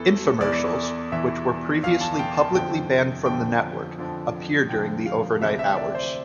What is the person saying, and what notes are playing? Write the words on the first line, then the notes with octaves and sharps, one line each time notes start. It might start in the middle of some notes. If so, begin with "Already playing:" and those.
Infomercials, which were previously publicly banned from the network, appear during the overnight hours.
Already playing: E2 E3 A4
E2 E3 D5
E2 E3 E5
E2 E3 F5
A5
G5
A5
F2 D3 F3 G5
F2 D3 F3 G5
F2 D3 F3
F2 D3 F3 G5
F5
D2 C3 E3 E5
E5
E5
D5
C5